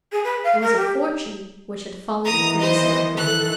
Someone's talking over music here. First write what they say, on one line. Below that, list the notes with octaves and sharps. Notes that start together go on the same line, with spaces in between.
It was a fortune which had fallen from the sky.
G#4
B4
F5
A#4
G4
D#3 E3 B3 A#5 D#6
C5 D#5
D#3 E3 A4 F#6